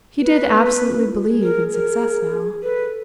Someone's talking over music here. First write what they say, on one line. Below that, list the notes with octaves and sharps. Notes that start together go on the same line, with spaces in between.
He did absolutely believe in success now.
B4
B3
C4
C#4
E4
F4
G#4
A#4
A#4
A4 B4